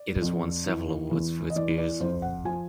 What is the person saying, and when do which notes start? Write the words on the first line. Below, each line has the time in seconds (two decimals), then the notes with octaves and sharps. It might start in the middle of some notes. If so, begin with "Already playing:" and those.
It has won several awards for its beers.
Already playing: D5
0.22 F2
0.66 E3
1.11 E2
1.50 D#5
1.56 E3 D5
1.78 D5
2.00 F2 C5
2.22 F#5
2.45 F3 G#5